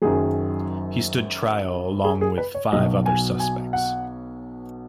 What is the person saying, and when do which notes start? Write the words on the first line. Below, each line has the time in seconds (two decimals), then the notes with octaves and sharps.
He stood trial along with five other suspects.
0.02 F#1 F#2 D#3 F#3 G#4
2.04 G#4
2.21 G#4
2.38 B4
2.55 C#5
2.72 B1 B2 F#3 D#5
3.06 G#5
3.40 G#5
3.73 F#5